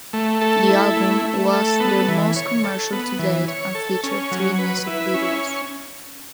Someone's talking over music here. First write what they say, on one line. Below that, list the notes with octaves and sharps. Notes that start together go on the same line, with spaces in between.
The album was their most commercial to date, and featured three music videos.
A3
A4
E4
A3
A3
A4
B3
E3
C#5
A4
B3
E3
C#5
A4
C#4
F#3
B4
E4
C#4